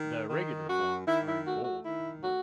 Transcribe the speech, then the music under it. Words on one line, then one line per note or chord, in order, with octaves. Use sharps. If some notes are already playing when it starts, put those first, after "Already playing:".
The irregular forms are in bold.
Already playing: D#3
D#3
F#2 F#4
D#3 E4
E4
A3 F#4
F#4
D#3 E4
A3 F#4